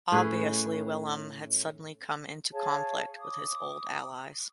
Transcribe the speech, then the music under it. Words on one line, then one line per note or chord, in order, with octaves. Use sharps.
Obviously Willem had suddenly come into conflict with his old allies.
A2 C#4 G#4 B4
G#4 C#5 F5 A5
D6 D#6